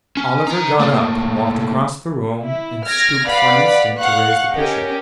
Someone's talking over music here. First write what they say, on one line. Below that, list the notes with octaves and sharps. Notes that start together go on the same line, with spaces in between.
Oliver got up; walked across the room; and stooped for an instant to raise the pitcher.
C#4
D#3 A#5
A#2 A3
E4
F6 G#6 A#6 D7
B4 D5 F5 F#5 B5
F5 F#5 C#6 F#6
C#4 G4 A#4 D#5